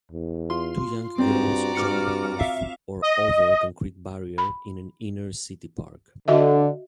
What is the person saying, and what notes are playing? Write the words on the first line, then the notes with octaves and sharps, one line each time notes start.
Two young girls jump off or over a concrete barrier in an inner city park.
E2
F4 C6
G2 C4 F#4 D5 A#5
G2 D6 F6 C#7
E5 F5
D#5
B5
D3 F#4 D#5 E5